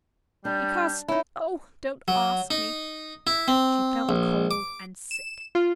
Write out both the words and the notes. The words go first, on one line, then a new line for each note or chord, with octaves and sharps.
"Because--oh, don't ask me." She felt cold and sick.
G3 D4 G6
C#4 D#4 E4
F#3
D#4
E4
C4
A#1
D6
E7
F4